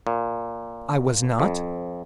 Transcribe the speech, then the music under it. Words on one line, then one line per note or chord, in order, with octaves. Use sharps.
I was not.
A#2
F2